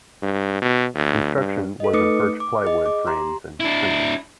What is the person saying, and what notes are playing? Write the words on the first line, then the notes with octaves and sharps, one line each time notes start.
Construction was of birch plywood frames and stringers.
G2
B2
D2
G2
A4 D#5
A3 D#4 B4 D6 D#6 C#7
D6
G#4 D#5
D6
G4 A#5 C6
D4 E4